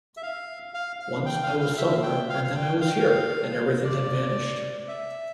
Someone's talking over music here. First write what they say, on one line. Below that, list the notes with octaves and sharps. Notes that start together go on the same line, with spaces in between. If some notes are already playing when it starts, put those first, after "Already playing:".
Once I was somewhere and then I was here, and everything had vanished.
E5
F5
F5
F5
G5
G5
F5
F5
E5
G5
F5
F5
G5
F5
G5
F5
D5
E5